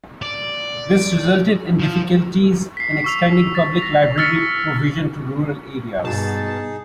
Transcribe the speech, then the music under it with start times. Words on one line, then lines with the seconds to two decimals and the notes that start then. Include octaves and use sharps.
This resulted in difficulties in extending public library provision to rural areas.
0.22 D5
1.80 F3
2.77 B6 C7
3.04 C#6 E6 F7
3.54 E6 A6 B6
3.78 A#6 F7
4.18 E6 F6 A6 B6 C#7
6.04 G2 B2 D#4 G#4 A5